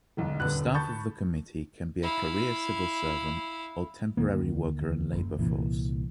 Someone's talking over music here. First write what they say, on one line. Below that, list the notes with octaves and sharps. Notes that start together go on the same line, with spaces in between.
The staff of the committee can be a career civil servant or temporary worker and labor force.
E1 B1 D3
D#1 D3 B4 F#6
A5 B5 C#6 G6 A6
E4 F5
D2 D#3 A#3
F#1
C2 A#2 E3